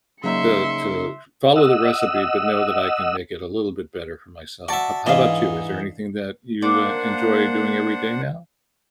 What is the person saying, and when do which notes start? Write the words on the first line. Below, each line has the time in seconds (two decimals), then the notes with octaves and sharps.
to to follow the recipe, but know that I can make it a little bit better for myself. How b how about you, is there anything that you, uh, enjoy doing every day now?
0.24 C#3 F#3 A#3 D#4 C#5 E5 C6 C#7
1.56 D#5 F#5 E6
4.68 F#4 D5 E5 A5
5.06 G#2 E3 D4 D#5 F5
6.62 A#3 D4 C5 D5 F#5